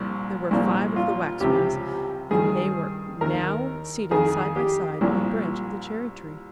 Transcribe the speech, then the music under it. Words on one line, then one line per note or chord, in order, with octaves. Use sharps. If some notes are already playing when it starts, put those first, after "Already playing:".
There were five of the Waxwings and they were now seated side by side on a branch of the cherry tree.
Already playing: C2 A#2 F3
C2 A#2 F3
F4
C#2 C3 F3 G4
G2 D#3 G#4
D#2 D#3 A#4
F2 D#3 G#4
G4
C2 A#2 F3